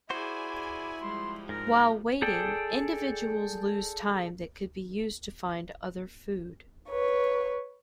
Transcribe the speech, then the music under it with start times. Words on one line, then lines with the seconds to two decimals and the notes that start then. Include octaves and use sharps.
While waiting, individuals lose time that could be used to find other food.
0.10 E4 F#4 G#4 C5 D5 G#5
1.01 F3 G3 G#3 C6
1.49 G#2 A#4
2.22 G#4 A4 D5 G5
6.90 B4 C#5